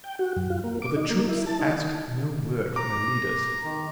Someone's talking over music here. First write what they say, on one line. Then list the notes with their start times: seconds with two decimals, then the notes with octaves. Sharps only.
But the troops asked no word from their leaders.
0.04 G5
0.19 F#4
0.36 F#2
0.50 F4
0.64 A#3
0.82 D6
0.96 D#4
1.10 A#3
1.29 E4
1.46 A5
1.59 D#4
2.76 A#5 D6
3.64 D#3